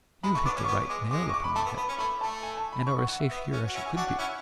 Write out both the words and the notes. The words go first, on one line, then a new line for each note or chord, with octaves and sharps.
You've hit the right nail upon the head, and are as safe here as you could be.
G#3 B5
A3 C#6
B3 D4 D6
C#4 D6
C#6
B3
D6
G#3
G#3 D6
D6
C#6
D6
B5
A3 A5
B3
B3 B5
C#4
A3 B5
A3 A5
G#5
A5
B5
C#6
F#5
F#5
E5
B3
C#4
F#4
C#4 E4 F#5
G#5
D4 F#4 F#5
F#5
C#4 E4 F#5